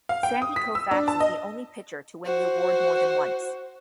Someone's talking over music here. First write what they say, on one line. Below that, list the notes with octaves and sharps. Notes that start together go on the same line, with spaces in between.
Sandy Koufax is the only pitcher to win the award more than once.
F5
G5
D#6
B6
E6
D4
A5
D#5
F#4 C5